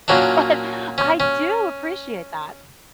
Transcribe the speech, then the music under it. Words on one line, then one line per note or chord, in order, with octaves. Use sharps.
but I do appreciate that.
A#2 F#3 A#3 C#4 D4
C#4
C#4